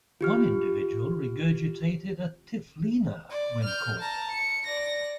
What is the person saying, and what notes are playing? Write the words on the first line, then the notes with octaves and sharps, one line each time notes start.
One individual regurgitated a "Typhlina" when caught.
F4 G4 F6
D5
F6 G6
A5 A#5
C#7
D5 A#6